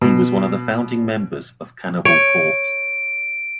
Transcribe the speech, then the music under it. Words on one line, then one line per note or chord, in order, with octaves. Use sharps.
He was one of the founding members of Cannibal Corpse.
B2
C#5 D7